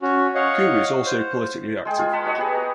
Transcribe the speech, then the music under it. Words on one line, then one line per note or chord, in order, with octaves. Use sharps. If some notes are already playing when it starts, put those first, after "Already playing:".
Gu is also politically active.
C#4 F#4
C#5 D#5 F5 F#5
C5
G#3 G#4 G5
F4
D#5 F#5 A5 B5
F#4 C#5 D#5 F#5
B3 G4 G#4
A#5